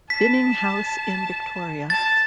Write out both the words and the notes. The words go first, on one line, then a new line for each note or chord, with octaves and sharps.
Binning house in Victoria.
A5 B6
A5 A6